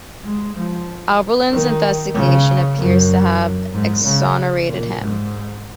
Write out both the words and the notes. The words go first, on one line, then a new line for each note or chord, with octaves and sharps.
Abberline's investigation appears to have exonerated him.
G#3
F3
D#3
C#3
F#2
G#2
C#3
A#2
G#2